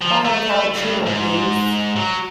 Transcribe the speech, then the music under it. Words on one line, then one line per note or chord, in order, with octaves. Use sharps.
I'll have a cappuccino please.
F3
A3
G2
G#2
F#3